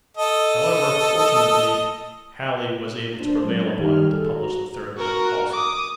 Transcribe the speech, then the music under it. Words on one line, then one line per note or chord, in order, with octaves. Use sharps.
However, fortunately, Halley was able to prevail upon him to publish the third book also.
A4 D#5
D4 C5 A5
F#3 G#3 C4 C#4
A5 G#6
D#3 G3 G4 F6
G#4 A4
F#4 A#5
F#4 A#4
D6 D#6